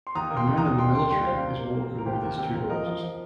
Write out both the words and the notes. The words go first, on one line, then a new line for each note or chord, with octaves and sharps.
A man in the military is walking with his two daughters.
C6
D#2 A#5 D#6
A#3
G5 C6
D#2
A#5 D#6
D#2
G3 G5 C6
A#3 G5 C6
G3 G5 C6
G5
G3 C5 F5
C3
A#3
A#3
C3
A#4
D#2 G4 C5
D#2 A#4
C4 G4
D#2 A#4
F3 A#4 D#5
F3
F3